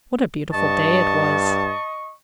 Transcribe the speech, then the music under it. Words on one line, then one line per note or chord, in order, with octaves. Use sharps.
What a beautiful day it was!
G2 D#5 A5 C#6